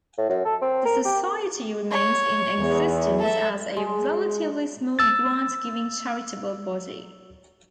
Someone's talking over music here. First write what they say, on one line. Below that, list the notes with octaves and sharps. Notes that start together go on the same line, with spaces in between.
The society remains in existence as a "relatively small grant-giving charitable body".
A2
F#2
A4
C4
A#4
G4
C#5
E2
A4 E5
G#3
E6 A6